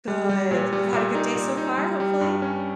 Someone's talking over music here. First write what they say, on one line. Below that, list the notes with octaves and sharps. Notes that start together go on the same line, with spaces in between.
Good. You've had a good day so far, hopefully?
G3
G3
A#2
G3
A#2
D#4
A#2
D#4
G3
G3
G2
C#4